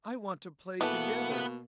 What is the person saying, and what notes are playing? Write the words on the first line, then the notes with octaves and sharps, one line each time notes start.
I want to play together.
B2 E3 A#3 B3 A4 F#5